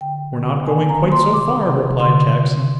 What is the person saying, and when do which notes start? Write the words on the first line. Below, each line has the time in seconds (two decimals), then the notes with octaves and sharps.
'We're not going quite so far,' replied Jackson.
0.01 D3 G5
0.34 D3
0.66 D#3 G#5
0.89 A#5
1.00 A#3
1.12 C6
1.33 C3 D6
1.67 C3
2.00 D3 C6
2.33 D3